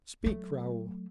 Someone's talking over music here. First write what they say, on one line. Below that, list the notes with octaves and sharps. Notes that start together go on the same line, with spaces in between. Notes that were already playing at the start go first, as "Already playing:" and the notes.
"Speak, Raoul."
F#3 A3